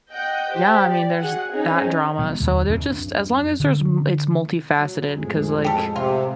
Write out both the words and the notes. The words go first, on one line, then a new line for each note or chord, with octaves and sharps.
Yeah, I mean, there's that drama. So, they're just as long as there's m it's multifaceted, 'cause, like
D#5 F#5 G5 G6
G4 C5
D5
F#4 G#4 F#5
C4 C#4 D#4 G#4
B2 F#3 G#3
D#2 D3
F#2 F#3 C4 D4
D3
F#3
F2 A2 G#3
G4 A4
C3 F4